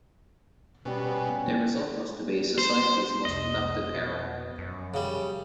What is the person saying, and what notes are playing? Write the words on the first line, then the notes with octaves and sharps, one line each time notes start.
The result was to be the society's most productive era.
B2 G3 C#4
C5
C2 F2 D#5
F2 B2
F#2 F3
C#3 G3